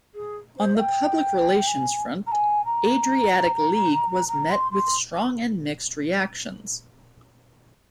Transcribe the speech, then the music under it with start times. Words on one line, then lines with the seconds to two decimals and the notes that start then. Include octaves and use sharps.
On the public relations front, Adriatic League was met with strong and mixed reactions.
0.14 G#4
0.58 C5
0.75 F5
0.79 G5
1.67 G#5
2.27 A#5
2.32 G#5
2.65 A#5
4.28 A#5
4.50 C6
4.71 C6